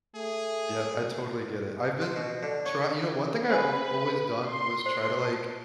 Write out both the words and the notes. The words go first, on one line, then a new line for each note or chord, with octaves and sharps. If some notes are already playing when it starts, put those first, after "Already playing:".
Yeah. I totally get it. I've been try you know, one thing I I've always done was try to, like,
A3 G#4
C6
B2
D3
C#5
C#4 B4 C5 G#5
C6
C5
A5